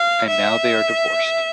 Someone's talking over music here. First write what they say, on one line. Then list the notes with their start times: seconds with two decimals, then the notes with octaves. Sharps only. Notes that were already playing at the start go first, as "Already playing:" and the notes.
And now they are divorced.
Already playing: F5
0.29 E5